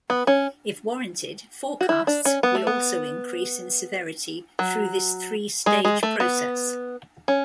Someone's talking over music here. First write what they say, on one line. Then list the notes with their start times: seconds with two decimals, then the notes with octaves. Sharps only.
If warranted, forecasts will also increase in severity through this three-stage process.
0.10 B3
0.27 C#4
1.81 F#4
1.89 E4
2.07 D4
2.25 C#4
2.43 B3
2.55 A3
2.67 B3
4.59 F#3
5.66 G#3
5.84 G#3
6.03 A3
6.20 B3
7.28 C#4